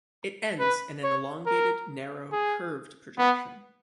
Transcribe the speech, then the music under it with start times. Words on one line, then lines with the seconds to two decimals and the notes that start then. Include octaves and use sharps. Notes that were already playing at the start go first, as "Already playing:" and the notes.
It ends in an elongated, narrow, curved projection.
0.60 B4
1.03 C#5
1.46 A#4
2.32 G#4
3.18 B3